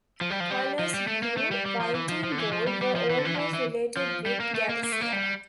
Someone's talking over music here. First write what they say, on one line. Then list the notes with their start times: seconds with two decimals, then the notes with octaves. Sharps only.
Colors blue, white and gold were always related with Galicia.
0.21 F3
0.31 G3
0.40 F3
0.50 G3
0.79 F3
0.94 G3
1.08 A3
1.23 A#3
1.37 A3
1.51 G3
1.66 G3
1.80 F3
1.95 E3
2.09 F3
2.24 F3
2.32 D3
2.38 E3
2.52 F3
2.67 G3
2.82 G3
2.96 F3
3.10 E3
3.19 D3
3.25 E3
3.34 F3
3.39 E3
3.54 E3
3.97 F3
4.26 G3
4.40 A#3
4.55 A3
4.69 A#3
4.84 A#3
4.92 A3
5.01 A#3
5.13 G3